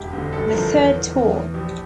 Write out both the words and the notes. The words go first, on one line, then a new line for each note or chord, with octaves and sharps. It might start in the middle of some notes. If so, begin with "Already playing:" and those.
The third tour.
Already playing: E1 G4
D2 D3
G1 A4
G2 D3 F3 A#4
E2
E3
E2
E3
A#1 G4